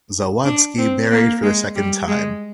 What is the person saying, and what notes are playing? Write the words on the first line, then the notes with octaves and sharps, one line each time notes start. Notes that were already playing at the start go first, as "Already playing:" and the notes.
Zawadzki married for the second time.
D4
C4
A#3
G#3
G3
G#3